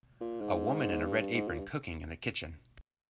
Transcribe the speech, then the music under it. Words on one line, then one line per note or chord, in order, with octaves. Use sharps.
A woman in a red apron cooking in the kitchen.
A#2
G#2
G2
G2
G#2
A#2
G2